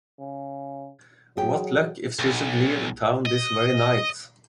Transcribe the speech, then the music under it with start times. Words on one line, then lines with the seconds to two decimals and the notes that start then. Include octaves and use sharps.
What luck if she should leave town this very night!
0.20 C#3
1.37 F#3 G#4 G5
2.19 B1
3.26 D#5